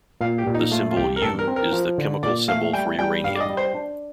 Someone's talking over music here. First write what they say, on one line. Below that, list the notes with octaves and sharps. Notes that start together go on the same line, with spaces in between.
The symbol 'U' is the chemical symbol for uranium.
A#2 F5
G4
A#2
D#4
A3 F4
F4
C2 G4
A#4
G2 A4
A#4
C4
A#4
F3
D3
A#2 D5
A3 F5
G3 G5
G3 G5
G2 F5
D5
D#5
G3
C5
D4